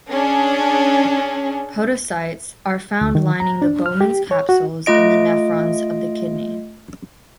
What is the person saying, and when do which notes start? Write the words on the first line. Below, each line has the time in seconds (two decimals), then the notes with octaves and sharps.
Podocytes are found lining the Bowman's capsules in the nephrons of the kidney.
0.11 C#4 D4 G#4
3.01 D2
3.15 D#3
3.40 A#5
3.62 D4
3.86 F6
4.01 G4
4.31 C#5
4.49 F#4
4.86 A3 F4 D#5 D7